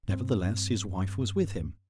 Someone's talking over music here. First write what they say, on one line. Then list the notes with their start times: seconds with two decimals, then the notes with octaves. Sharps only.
Nevertheless, his wife was with him.
0.09 G2 C4